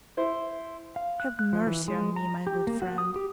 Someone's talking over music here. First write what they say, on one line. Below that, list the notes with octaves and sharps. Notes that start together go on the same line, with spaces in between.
Have mercy on me, my good friend.
E4 C5
F5
F#6
F#6
F3
E3
G#3
A#5
G4
A#3
F#4
D#6
G4